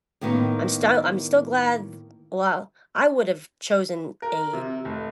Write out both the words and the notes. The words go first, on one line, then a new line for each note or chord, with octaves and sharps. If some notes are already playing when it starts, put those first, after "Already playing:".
I'm star I'm still glad, well, I would've chosen a,
A2 D#3 A#3 B3 D#4
A#4
C3
F1